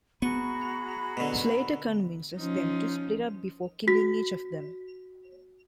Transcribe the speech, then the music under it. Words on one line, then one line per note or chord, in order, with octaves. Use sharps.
Slater convinces them to split up before killing each of them.
B3 F#4 G#4 A#5 B5 C#6
B2 D3
F3 C#4 D#4
F#4 B6